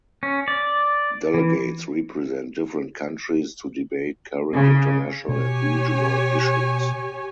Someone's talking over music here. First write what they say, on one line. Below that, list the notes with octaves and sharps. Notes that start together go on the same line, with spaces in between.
Delegates represent different countries to debate current international and regional issues.
C#4
D5
E3
C#3
B2 G4 C#5 G#5